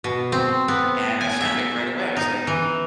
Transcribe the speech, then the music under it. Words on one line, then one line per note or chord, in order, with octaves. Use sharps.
and I found it right away. I was like,
B2
C4
B3
G#5
E5
D#4
E3